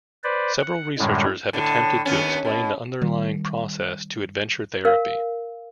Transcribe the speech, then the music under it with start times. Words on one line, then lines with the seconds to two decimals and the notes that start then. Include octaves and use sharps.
Several researchers have attempted to explain the underlying process to adventure therapy.
0.24 B4 C5 D5
0.62 F#5
0.98 F#2 A2 D3 G3 G#3
1.53 A2 D3
2.05 D#2 B3 C#4
2.45 B2
3.02 D#3 G3
4.85 A#4 F5